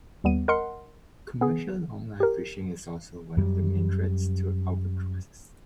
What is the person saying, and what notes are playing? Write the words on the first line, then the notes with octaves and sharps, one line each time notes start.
Commercial longline fishing is also one of the main threats to albatrosses.
D#2 G3 B3 D#7
A#4 D#5 F#5 C6 C#7
B3 G#4
G4 A#4
F#2 G3